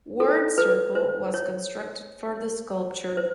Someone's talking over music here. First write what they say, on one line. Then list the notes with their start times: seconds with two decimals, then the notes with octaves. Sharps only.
Ward Circle was constructed for the sculpture.
0.20 A4
0.58 B4
0.95 C5
1.34 C#5
3.17 C5